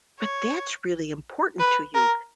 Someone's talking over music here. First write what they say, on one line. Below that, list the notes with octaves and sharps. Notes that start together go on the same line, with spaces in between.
but that's really important to you.
C#5
B4
A#4